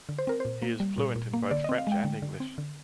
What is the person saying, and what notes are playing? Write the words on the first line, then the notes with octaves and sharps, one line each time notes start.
He is fluent in both French and English.
D3
C5
C4 A#4
A#2 C5
A#3
G3
A#2
A#2
A#3
D3 D5
C4 D#5
F5
G#3 G5
D3
D3
C4
D3